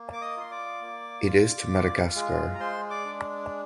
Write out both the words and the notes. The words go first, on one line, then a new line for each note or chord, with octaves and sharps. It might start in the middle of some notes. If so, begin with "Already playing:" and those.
It is to Madagascar.
Already playing: A#3
D6
D#5 D#6
F4 C6
D5 D6
A#3
F4
F4
G#3
A#5
G#3 C5 C6
D5 D6
D4